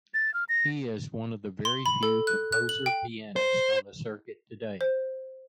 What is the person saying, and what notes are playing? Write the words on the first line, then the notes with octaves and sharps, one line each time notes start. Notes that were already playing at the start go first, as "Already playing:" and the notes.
He is one of the very few composer-pianists on the circuit today.
A6
F6
A#6
C6
B5
A4
F#6
F#6
F#7
G5
C5
C5